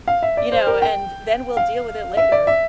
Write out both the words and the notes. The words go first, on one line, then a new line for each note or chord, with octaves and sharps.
you know, and then we'll deal with it later.
F5
E5
D5
C5
A#4
G5
F5
E5
D5
E5